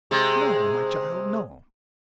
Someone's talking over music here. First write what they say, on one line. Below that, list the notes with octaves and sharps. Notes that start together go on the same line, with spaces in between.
"No, my child, no!"
C3 G#3